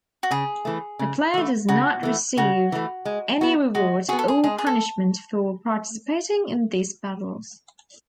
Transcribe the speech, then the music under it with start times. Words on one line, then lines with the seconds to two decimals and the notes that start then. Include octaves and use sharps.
The player does not receive any reward or punishment for participating in these battles.
0.23 F#4
0.31 C#3 G#4
0.65 E3 A3
0.99 C#3
1.34 E3 A3
1.69 C#3 F#4
2.03 E3 A3
2.37 C#3 F#4
2.72 E3 A3
3.05 G#3
3.41 B3 F#4
3.75 G#3 F#4
4.09 B3 F#4 G#4
4.19 A4
4.28 G#4
4.44 G#3 G#4
4.58 G#4
4.67 A4